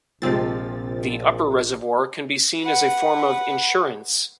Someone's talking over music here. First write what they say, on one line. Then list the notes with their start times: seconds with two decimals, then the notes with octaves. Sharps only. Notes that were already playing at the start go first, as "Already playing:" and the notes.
The "Upper" reservoir can be seen as a form of insurance.
0.22 A#1 C3 F3 G3 G#3 C4 A6
2.61 B4 F#5